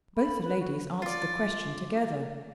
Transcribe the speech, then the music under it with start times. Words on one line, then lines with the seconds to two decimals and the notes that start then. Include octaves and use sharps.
Both the ladies answered the question together.
0.17 A4 B5
0.42 B4 B5
0.59 F#4
1.02 F4 D5